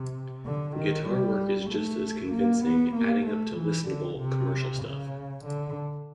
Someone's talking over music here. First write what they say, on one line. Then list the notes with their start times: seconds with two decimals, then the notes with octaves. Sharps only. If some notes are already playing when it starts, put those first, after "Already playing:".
Guitar work is just as convincing, adding up to listenable, commercial stuff.
Already playing: C3
0.46 D3
0.76 D#3
1.08 G3
1.71 A3
2.32 A#3
2.64 B3
2.95 A#3
3.27 A3
3.58 E3
3.88 D3
4.20 C3
4.83 C#3
5.46 D3